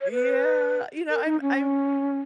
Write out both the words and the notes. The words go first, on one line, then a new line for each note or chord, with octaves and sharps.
Yeah, you know, I'm I'm
C#5
B4
A#4
D#4
C#4